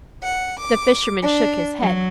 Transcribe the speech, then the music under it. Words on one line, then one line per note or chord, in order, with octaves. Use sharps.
The fisherman shook his head.
F#5
D6
D4
F#3